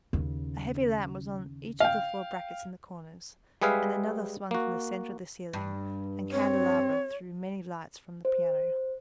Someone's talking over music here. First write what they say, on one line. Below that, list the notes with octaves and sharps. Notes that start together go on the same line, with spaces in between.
A heavy lamp was on each of the four brackets in the corners, and another swung from the centre of the ceiling, and candelabra threw many lights from the piano.
D#2 C#3
F5 G5
G3 G#3 G#4 B4 E5 F5
A#3 F#4
G2
C4 C#5
C5